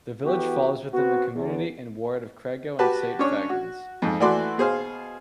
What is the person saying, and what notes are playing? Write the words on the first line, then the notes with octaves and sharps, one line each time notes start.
The village falls within the community and ward of Creigiau and Saint Fagans.
E3 B3 F#4 G4 A4
B3 C4 F#4
E2
F#4 G4 B4 A5
C#4 D4 C#5
F#4
F2 G#2
E3 A3 F#4 D5 B5 C6
B2 G#4 C5 F5